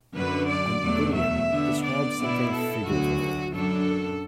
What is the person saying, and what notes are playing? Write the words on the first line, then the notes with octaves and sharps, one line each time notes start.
An idiom describes something figuratively.
F#2 D3 F#3 D4 B4
D5
E2 B2 F#3 A3
E5
D3 B3 D4
D5
B2 B3 E4
A4
D2 D3 F#3 F#4
F#2 F#3 D4 A4